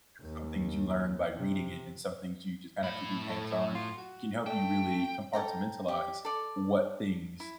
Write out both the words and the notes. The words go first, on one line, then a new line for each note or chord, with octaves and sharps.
There's some things you learn by reading it, and some things you just kinda have to do hands on, it can help you really compartmentalize what things,
D#2
C3
A2 B5
A4
F4
F#4
A3 G5
A4 G5 A#5
G4
A4 D5
E4